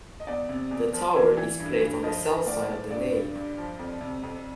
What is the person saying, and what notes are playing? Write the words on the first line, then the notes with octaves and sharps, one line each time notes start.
The tower is placed on the south side of the nave.
D#5
E2 D5
C3
E2
F3
E3
E3
G2
G2
F3 D#5
F3
A2 D5
A2
G2 D5
D3
G2
F3
F2
C3
F2